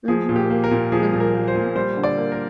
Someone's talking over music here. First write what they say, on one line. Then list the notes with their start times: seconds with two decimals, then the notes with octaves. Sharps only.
Mhm, mhm.
0.08 F3 G#4
0.29 A#2
0.36 G4
0.50 A#3
0.64 A#4
0.71 A#2
0.92 F3 G#4
1.12 A#2
1.20 A#4
1.34 A#3
1.48 C5
1.55 A#2
1.76 G3 C5
1.97 D3
2.04 D5
2.17 A#3
2.32 A#4